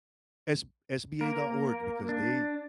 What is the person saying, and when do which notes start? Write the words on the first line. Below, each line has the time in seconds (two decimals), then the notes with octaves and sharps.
s sba.org because they
1.21 A#3 A#4
2.09 D4